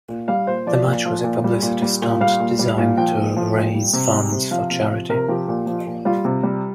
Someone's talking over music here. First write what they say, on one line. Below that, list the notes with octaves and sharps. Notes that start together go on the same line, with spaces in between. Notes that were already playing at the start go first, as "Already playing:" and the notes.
The match was a publicity stunt designed to raise funds for charity.
A#2
G3 F5
A#2 C5
F3 D5
A#2
F3
A#2
G3
A#2
G3
A#2
G3 F5
A#2
G3
A#2
F3 G5
A#2
F3
A#2
G3
C3
G3
C3
F3 F5
C3 F5
F3
C3 A#4
F3 G4
A#2
F3
A#2
G3 F4
C3
G3